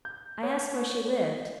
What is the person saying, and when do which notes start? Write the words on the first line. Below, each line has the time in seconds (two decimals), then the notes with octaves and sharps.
I asked where she lived.
0.05 G6
0.43 C#5